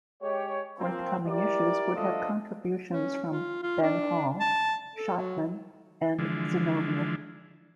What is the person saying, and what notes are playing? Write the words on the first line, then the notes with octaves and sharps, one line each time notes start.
Forthcoming issues would have contributions from Ben Hall, Shachtman, and Zinoviev.
G#3 G4 C#5
F3 A#3 C4
E4 G4 A#4 D5
F3 A3 D4 F4 A4 D#5
C#4
F4
F4
D4
A5
A4
F#3
D3 E3 F3 G#3